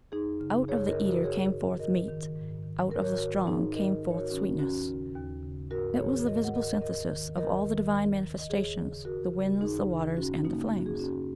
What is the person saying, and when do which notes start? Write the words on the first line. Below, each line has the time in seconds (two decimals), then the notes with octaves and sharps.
"Out of the eater came forth meat, out of the strong came forth sweetness." It was the visible synthesis of all the divine manifestations, the winds, the waters, and the flames.
0.12 F#2 D#4 G#4
0.40 C#3
0.68 F#2 G#4 C#5
0.87 A#4 D#5
0.96 C#3
1.05 F#4 A#4
1.24 G#2 G#4 C#5
1.52 D#3
1.79 G#2 A#4 D#5
2.08 D#3
2.36 G#2
2.64 D#3
2.91 G#2 A#4
3.02 C#5
3.12 F#4 A#4
3.19 D#3
3.47 G#2 D#4 G#4
3.75 D#3 A#4 D#5
4.03 G#2 A#4
4.11 C#5
4.18 F#4 A#4
4.31 D#3 C#4 F#4
4.59 D#2 C#4 F#4
4.87 C#3
5.15 D#2
5.43 C#3
5.71 G#2 F#4 A#4
5.98 D#3 G#4 C#5
6.26 G#2 A#4 D#5
6.44 F#5
6.54 D#3 A#4 D#5
6.82 D#2 A#4 D#5
7.10 D#3
7.38 D#2 A#4 D#5
7.66 D#3
7.94 D#2
8.22 C#3
8.39 D#5
8.50 D#2 G#4 C#5
8.78 C#3
9.05 D#2 F#4 A#4
9.33 C#3
9.61 D#2 D#4 G#4
9.89 C#3
10.17 F#2 C#4 F#4
10.45 C#3 A#3 D#4
10.73 F#2 F#4
10.86 G#4
10.99 C#3 C#4 F#4